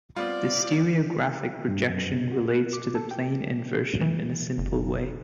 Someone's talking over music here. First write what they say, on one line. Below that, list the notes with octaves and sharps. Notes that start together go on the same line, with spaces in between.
The stereographic projection relates to the plane inversion in a simple way.
G3 B3 C4 F4 D5
G2
F#2
C3
F#4
F#6
D6
A4
G5
E3
F#1